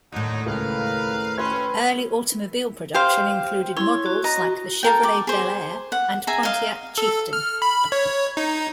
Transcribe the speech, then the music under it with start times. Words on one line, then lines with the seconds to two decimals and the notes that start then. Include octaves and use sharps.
Early automobile production included models like the Chevrolet Bel Air and Pontiac Chieftain.
0.12 D#2 A2 D3 F#3 D#4
0.46 C#2 A#4 B4 F5
1.38 C4 C#4 B4 C6 G#6
2.94 G4 C5 F5
3.77 E4 C#5 C6
4.06 F#4
4.24 D#5 A#5
4.83 A4 A#4 G5
5.03 D6
5.27 G#4 C5
5.92 F#5
6.27 G#4 E5 G#5 A#5
6.43 D#5 F5
6.98 A4
7.33 F6
7.62 B5
7.92 C#5
8.37 D#4